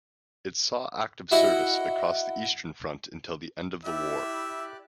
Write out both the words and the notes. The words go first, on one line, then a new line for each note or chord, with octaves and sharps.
It saw active service across the Eastern Front until the end of the war.
E4 F#4 D#5 F#5
E4 G4 D5 E5 F#6